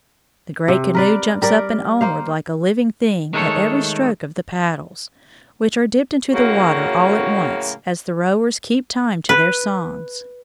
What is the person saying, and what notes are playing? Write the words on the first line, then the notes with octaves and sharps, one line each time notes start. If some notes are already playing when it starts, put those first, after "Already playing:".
The great canoe jumps up and onward like a living thing at every stroke of the paddles, which are dipped into the water all at once as the rowers keep time to their songs.
C3
A#4 B4 D5
G3 A#4 D5
A#3 C5 F5
D#3 G#3 A3 C#4 A4 C#5
A2 C#3 F#3 A#3 F#4
B4